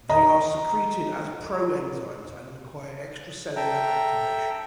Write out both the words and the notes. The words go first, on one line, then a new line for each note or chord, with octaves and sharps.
They are secreted as proenzymes and require extracellular activation.
D#5 A#5
A4 E5 G5 A#5